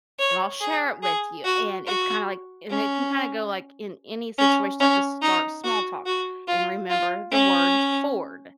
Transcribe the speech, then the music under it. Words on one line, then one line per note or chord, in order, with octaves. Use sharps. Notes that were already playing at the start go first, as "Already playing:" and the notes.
and I'll share it with you, and it's kinda, like and it can kinda go, like, in any situation, like to start small talk and remember the word FORD
C#5
G#4
G#4
F#4
F#4
C#4
C#4
C#4
D#4
F#4
F#4
F4
F4
C#4